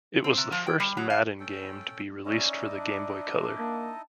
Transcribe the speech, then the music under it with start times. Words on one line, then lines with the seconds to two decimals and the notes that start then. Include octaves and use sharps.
It was the first "Madden" game to be released for the Game Boy Color.
0.24 C4
0.38 C3
0.52 F3
0.67 G5
0.80 G3
0.97 F#3
1.10 F5
1.40 C#4 A4 G5
2.26 C#4 D#4 E4 D5 D#5
2.78 D4
3.59 A#3 A5